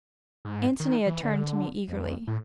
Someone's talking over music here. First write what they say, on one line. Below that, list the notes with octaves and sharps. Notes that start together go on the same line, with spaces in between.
Antonia turned to me eagerly.
G#2
D#3
E3
D3
F2
A2